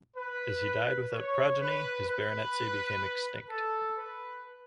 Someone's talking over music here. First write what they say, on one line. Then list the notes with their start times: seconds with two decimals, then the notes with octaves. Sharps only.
As he died without progeny his baronetcy became extinct.
0.17 B4
1.12 C#5
1.60 B4
2.07 B4
3.49 A4
3.97 B4